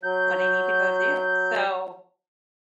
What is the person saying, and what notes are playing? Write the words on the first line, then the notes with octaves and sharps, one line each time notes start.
what I need to go do. So
F#3 G6